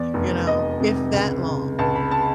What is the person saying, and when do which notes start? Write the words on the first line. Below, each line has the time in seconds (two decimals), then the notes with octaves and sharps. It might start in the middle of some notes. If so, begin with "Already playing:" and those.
you know, if that long.
Already playing: E2 D5
0.14 F1
0.47 F1 D#5
0.81 C3
1.13 C#2
1.46 C#2
1.79 C#2 A5
1.96 B5
2.11 A5